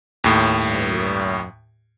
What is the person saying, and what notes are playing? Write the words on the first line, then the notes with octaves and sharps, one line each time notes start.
Oh, yeah.
D#2 A2